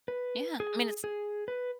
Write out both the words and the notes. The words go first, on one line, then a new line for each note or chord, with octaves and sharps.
Yeah, I mean, it's
B4
G#4
G#4
B4